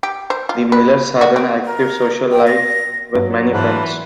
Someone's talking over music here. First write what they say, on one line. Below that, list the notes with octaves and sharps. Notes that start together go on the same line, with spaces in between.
The Millers had an active social life with many friends.
G4
C5
F4
B4
F#4
C4
A#4
G5
A#6
G2 F#3
G#2 E3 D4 F4 B4